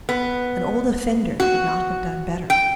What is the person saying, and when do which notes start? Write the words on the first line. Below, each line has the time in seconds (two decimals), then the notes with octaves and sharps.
An old offender could not have done better.
0.09 B3
1.40 F#4
2.50 G5